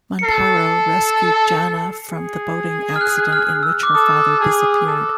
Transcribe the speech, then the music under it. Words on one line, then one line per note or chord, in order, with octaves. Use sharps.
Montaro rescued Jana from the boating accident in which her father disappeared.
C#7
A4 C7
G#4
F6
F#6
F6
E6
D6
A4 D#6
G#4
A4